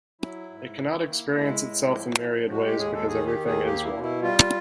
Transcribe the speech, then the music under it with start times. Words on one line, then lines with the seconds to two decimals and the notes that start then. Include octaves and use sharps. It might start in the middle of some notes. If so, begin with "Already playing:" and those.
It cannot experience itself in myriad ways because everything is one.
0.21 F#3 E4
0.50 G#2
0.79 D#3
1.07 A#3
1.36 G#3 E4
1.65 A2
1.94 F3
2.22 A2
2.51 G#3 F#4
2.66 G4
2.79 D#2 G#4
2.94 A4
3.07 D#3 G#4
3.26 G4
3.36 D#2
3.46 G#4
3.65 A#3 G4
3.85 E4
3.93 B2
4.03 E4
4.22 G3 F4